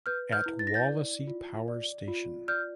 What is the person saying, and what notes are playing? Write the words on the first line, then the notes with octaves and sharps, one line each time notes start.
At Wallasey power station.
B4 F6 G6
F6 G6
E4
A6
A#6
G6 A6
D5
F4
D5
F4
D5 F6 G6